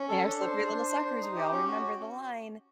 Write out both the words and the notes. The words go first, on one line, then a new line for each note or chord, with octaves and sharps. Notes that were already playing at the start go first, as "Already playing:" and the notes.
They are slippery little suckers. We all remember the line.
Already playing: C#4
A4
D4
C5
D4
C5
D4
C5
D#4
G4
C#4
F#4